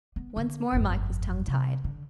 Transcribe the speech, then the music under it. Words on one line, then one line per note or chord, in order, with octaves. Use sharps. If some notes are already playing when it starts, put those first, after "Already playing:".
Once more Mike was tongue-tied.
B3
D3
G1 F2
C3
D3